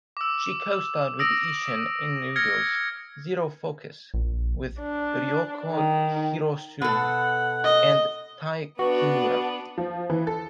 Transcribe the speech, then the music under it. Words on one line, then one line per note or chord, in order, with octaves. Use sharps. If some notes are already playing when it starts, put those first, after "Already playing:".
She co-starred in Isshin Inudo's "Zero Focus" with Ryoko Hirosue and Tae Kimura.
D6 E6
D#6 E6 A#6 D7
F6 G#6 A#6 C#7
A#1
D4
D#3
B2 A4 F#5
D#5
B3 D4 F#4 B4 F#5 C#6
F3
E3
A4